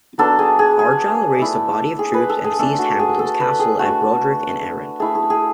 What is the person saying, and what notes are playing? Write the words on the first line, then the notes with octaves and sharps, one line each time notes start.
Argyll raised a body of troops and seized Hamilton's castle of Brodick in Arran.
F#3 B3 D4 A4
G#4
G#4
G#4
A3 E4
G#4
B4
A4
G#4
A3 D4 A4
F#4
G#4
A4
B4
G#4
A3 D4 F#4
A3 E4 G#4
G#4
G#4